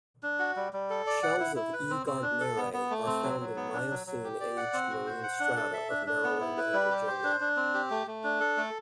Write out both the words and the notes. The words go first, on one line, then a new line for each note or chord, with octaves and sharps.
Shells of "E. gardnerae" are found in Miocene-aged marine strata of Maryland and Virginia.
D4
F#4
G3
G3
A4
D5
F#5
E4
E4
B4
C4
C4
D4
A4
B3
B3
A3
C4
F#3
F#3
B3
D4
F#3
F#3
G4
D5
F#5
C4
F#4
C5
F#5
D4
A4
E5
D4
D4
B3
E4
B4
G3
G4
C5
D4
D4
C4
G4
A3
A3
D4
A4
A3